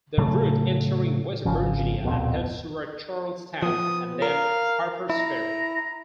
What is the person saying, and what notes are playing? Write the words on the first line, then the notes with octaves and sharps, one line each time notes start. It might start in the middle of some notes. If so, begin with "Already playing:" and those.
The route entering West Virginia and heads toward Charles Town and then Harpers Ferry.
A2 C#3 F#3 A3
G#1 C#3 F3
D1 A#1 F2 B2
F3 B3 D#6
A#4 F5
E4 A#5